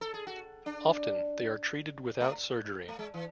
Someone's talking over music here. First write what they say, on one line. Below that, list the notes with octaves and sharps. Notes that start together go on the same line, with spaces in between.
Often, they are treated without surgery.
A4
G#4
F#4
D4
A3
A3
G#3
E3